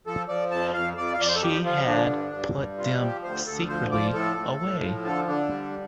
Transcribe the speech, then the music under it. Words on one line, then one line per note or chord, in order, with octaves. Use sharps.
She had put them secretly away.
F3 A4
F3 D5
F2 A5
F2 F5
F2 D5
F5
F2 D5
C5
A4
F3 G4
F3 F4
D3 D4
G2
G2
G3
C3 F4
F3 G4
D2 C5
D2 A4
F3 C5
F3 D5
A2 A4
A2
A2
F3
D3 A4
D3 D4
G3